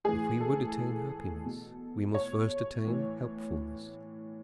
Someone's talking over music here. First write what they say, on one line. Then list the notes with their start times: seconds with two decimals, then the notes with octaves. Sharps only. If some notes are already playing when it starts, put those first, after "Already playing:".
If we would attain happiness, We must first attain helpfulness.
0.04 A2 E3 G#4
0.40 A4
1.45 B2
2.15 C#5
2.85 A2 E3